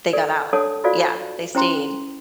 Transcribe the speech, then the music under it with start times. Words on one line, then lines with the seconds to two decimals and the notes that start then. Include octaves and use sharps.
they got out. Yeah, they stayed.
0.13 A4 D5
0.53 D4 A4 C#5 F#5 A5 D#6
0.84 F4 F#4 A4 C5 D5 F5
1.55 C#4 E4 C5 G5 A#5 C6